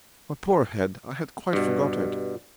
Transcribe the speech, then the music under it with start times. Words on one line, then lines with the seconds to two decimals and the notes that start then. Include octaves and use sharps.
My poor head, I had quite forgot it.
1.53 G2 B2